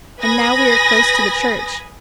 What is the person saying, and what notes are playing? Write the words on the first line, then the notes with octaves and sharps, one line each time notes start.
And now we are close to the church.
B4 G#5 B5 D#6 A#6